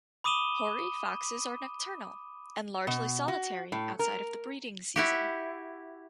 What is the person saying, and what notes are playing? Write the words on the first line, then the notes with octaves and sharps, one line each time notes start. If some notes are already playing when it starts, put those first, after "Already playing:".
Hoary foxes are nocturnal, and largely solitary outside of the breeding season.
B5 D6 D#6 D#7 E7 G7
B2
F#4
A2
A#4
E4 F#4 G4